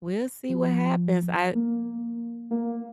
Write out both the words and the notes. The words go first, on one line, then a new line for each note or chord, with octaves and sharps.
we'll see what happens. I
F3
A#3
A#3